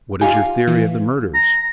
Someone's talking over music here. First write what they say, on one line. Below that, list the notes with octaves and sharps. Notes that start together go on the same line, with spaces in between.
"What is your theory of the murders?"
D#4 F4 G4 F5 G#5
E3
A#5